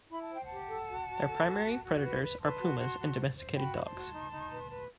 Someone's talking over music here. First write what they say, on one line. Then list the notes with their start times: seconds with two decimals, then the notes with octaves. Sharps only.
Their primary predators are pumas and domesticated dogs.
0.12 E4 B5
0.23 A5
0.31 C5 G5
0.44 F#5 A5
0.51 G4
0.69 A4
0.89 F#4
1.08 F#4
1.27 A4
1.46 F#4
1.65 F#4
1.84 F#4
2.02 B4
2.21 B4
2.40 B4 A5 C6
2.60 F#4
2.79 F#4
2.98 F#4
3.17 C5
3.36 C5
3.55 F#4 G5 B5
3.75 C5 B5
3.83 A5 C6
3.93 F#4
4.13 D#4
4.32 D#4
4.50 B4
4.70 B4